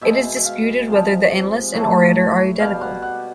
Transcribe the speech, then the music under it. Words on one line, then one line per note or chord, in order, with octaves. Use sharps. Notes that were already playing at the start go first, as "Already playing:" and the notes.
It is disputed whether the annalist and orator are identical.
B2 G#3 E5
E5
F5
C3 F3 G#3
A2 F#3 A3
B2 G3 F5
F#5
F#5